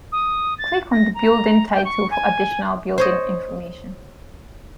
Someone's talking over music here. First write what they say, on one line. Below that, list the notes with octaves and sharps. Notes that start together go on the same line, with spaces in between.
Click on the building title for additional building information.
D#6
A6
A#6
A#5
G5
C#6
G#5
C5 C#5 D#5